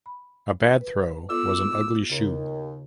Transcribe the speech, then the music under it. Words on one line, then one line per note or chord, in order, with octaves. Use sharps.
A bad throw was an "Ugly Shoe".
B5
B4
B3 F4 A4 D6 E6
D#2 C#3